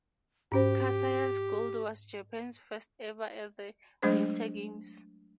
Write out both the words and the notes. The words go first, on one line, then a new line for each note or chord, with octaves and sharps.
Kasaya's gold was Japan's first-ever at the Winter Games.
G#2 C#4 G4 C5
F#3 G#3 A3 D4 G#4 C5